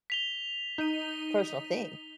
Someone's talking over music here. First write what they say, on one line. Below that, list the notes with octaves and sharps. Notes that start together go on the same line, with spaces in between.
Personal thing.
B6 F7 G7
D#4 D#7